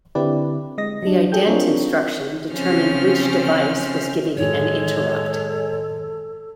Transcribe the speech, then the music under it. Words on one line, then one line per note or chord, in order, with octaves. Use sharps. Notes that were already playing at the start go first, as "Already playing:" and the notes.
The "ident" instruction determined which device was giving an interrupt.
D3 C4 E4 G4 B4 D5
G#3 D#5 A#6
F#3 D4
G#4 A4 G5 G6
C4 D4 F4 G#4 A#4 C#5
C#3 F3 C4 C#4 F6
F#2 A2 D#3 G#3 A4 C#5